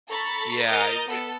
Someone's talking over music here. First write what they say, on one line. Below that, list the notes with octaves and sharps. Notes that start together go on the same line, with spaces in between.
Yeah, you can get
A4 A#5 B5 C#6 A6
A#4 D#5 D#6 F6 G6 A6
B3 A4